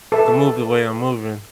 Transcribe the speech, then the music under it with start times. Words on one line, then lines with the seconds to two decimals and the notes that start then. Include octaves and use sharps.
to move the way I'm moving
0.12 A4 B4 E5